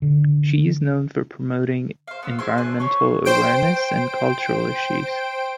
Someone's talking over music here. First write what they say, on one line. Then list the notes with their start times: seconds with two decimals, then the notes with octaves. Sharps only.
She is known for promoting environmental awareness and cultural issues.
0.02 D3
2.08 C5 F5
2.23 B3 E6
2.39 E4 G#4 C5 C6
2.58 D4 C5 G#5 A5
2.80 C#4 C5 C#5
3.25 C5 G5 D7